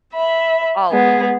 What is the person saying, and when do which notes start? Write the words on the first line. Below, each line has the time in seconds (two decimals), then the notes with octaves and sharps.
All of 'em.
0.14 E5 B5
0.89 G#3 B3 G#4